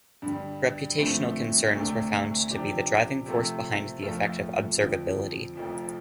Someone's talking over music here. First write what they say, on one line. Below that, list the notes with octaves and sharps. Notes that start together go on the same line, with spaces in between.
Reputational concerns were found to be the driving force behind the effect of observability.
G2 D3 G3
G2 D3 F3 A3 C4
D2 C3 A3 D4
C3 F3 D4 G4
C3 F3 A3 C4 A4
F2 F3 A3 F4 A4
F2 D3 F3
F1 F2 F3